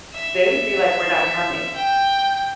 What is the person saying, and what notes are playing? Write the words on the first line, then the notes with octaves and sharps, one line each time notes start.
they would be like, "We're not coming.
E5
G5